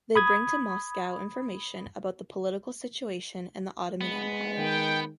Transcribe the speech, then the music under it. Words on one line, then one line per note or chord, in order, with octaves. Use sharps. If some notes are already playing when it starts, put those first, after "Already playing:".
They bring to Moscow information about the political situation in the Ottoman Empire.
B5 D#6 G#6
G#3 B3
D#3 G5